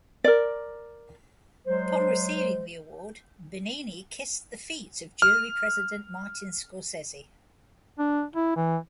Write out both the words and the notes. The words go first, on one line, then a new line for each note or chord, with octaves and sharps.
Upon receiving the award, Benigni kissed the feet of jury president Martin Scorsese.
A#4 D5
F#3 G#3 C5
F6
D4
E4
E3